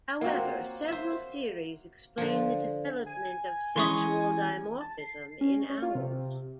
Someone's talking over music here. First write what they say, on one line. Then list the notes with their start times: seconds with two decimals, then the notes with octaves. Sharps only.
However, several theories explain the development of sexual dimorphism in owls.
0.21 F#3 A#3 C4 F4 F#4
0.88 C5 E5
2.18 D3 F3
3.06 G#5
3.76 E3 G#3 C#4 C6 C#6 D#6
4.80 A5
4.98 C7
5.41 C#4
5.70 C#5
5.82 F4
5.95 C3